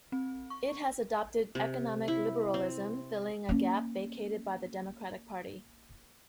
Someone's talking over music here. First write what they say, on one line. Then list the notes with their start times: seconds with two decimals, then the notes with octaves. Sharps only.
It has adopted economic liberalism, filling a gap vacated by the Democratic Party.
0.12 C4
0.50 C#6
1.55 C3
2.08 E4
2.54 C4
3.49 A#3 C#4